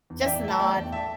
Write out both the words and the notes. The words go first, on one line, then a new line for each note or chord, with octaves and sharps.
just nod,
E2
E5
E2 D5 G5
A3 A5
A3 D5 G5
E2
E5 A5